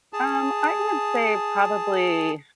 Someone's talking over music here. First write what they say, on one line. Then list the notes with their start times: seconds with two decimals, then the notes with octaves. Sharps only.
Um, I would say probably
0.13 G#4 A5